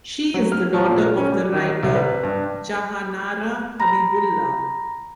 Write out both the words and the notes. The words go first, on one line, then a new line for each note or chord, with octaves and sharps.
She is the daughter of the writer Jahanara Habibullah.
F#3
F6
F3
A#2
A#4
C#4
G3
D#3
C2
B4
G2
A#5 B5 A#6